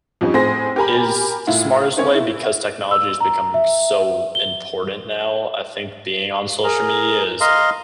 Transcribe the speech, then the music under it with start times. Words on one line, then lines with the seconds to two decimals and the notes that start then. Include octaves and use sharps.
is the smartest way because technology is becoming so important now. I think being on social media is
0.21 F2 F3 G3 C#4 D#4
0.34 A2 C4 G#4 C6 A#6
0.76 G4 A#4 G#5 A#5 B5
1.47 A2 E4 F4
1.97 C4 C#4 A#4 C#5
2.15 E4
2.91 E6
3.21 A#5
3.54 E5
4.35 G7
6.64 G#4 A#4
7.41 D#5 F5 A#5 C6